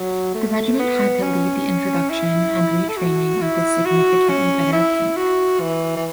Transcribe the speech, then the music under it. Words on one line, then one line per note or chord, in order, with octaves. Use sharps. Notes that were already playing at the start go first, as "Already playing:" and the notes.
The regiment had to lead the introduction and retraining of this significantly better tank.
Already playing: F#3
A3
B3
C#4
E4
A4
F#4
E4
F#4
C#4
E4
F#4
E3
E3